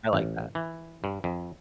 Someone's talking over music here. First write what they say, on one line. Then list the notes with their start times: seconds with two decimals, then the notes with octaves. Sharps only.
I like that.
0.13 A1
0.55 E3
1.04 G2
1.24 F2